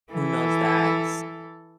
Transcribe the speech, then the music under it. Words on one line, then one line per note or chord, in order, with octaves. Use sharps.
who knows that
E3 A4